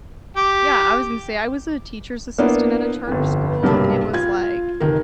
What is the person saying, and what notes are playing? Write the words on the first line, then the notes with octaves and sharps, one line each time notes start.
Yeah, I was gonna say I was a teacher's assistant at a charter school and it was like
G4
A#3 B3 D4 E4
G1 F2
B1 G2 C3 A#3 A5 B5
F4 G#6
F1 D#3 A#4